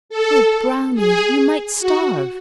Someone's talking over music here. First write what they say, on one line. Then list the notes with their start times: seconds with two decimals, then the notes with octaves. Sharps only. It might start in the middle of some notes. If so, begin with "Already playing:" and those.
'Oh, Brownie, you might starve!'
0.09 A4
0.94 G#4
1.80 F#4